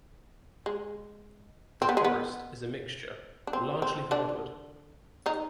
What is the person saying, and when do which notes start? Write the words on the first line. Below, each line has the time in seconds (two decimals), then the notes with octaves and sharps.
The forest is a mixture, but largely hardwood.
0.66 G#3
1.82 C4
1.89 B3
1.97 G#3
2.04 B3
3.47 D4
3.53 C4
3.82 C4
4.11 D3 D4
5.26 D#3 D#4